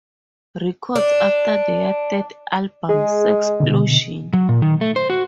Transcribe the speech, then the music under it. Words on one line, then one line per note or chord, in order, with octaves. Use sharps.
Records after their third album, Sexplosion!
D4
G#3 G#4
B2 D3
F#3
A#2
D#3
A3
C5
F#4